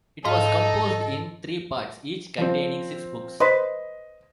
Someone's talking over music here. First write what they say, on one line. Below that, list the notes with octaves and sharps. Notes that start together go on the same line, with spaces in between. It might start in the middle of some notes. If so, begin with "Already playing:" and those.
It was composed in three parts, each containing six books.
G#2 D#4 A4 D#5 F5 F6
F3 C4
B4 C5 D#5